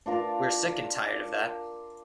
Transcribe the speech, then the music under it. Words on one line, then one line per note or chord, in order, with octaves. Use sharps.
We're sick and tired of that.
D4 F4 A#4 A5